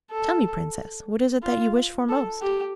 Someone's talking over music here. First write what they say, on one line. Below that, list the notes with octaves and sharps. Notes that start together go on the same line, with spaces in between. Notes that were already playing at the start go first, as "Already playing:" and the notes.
Tell me, Princess, what is it that you wish for most?
A4
F4
A4
G4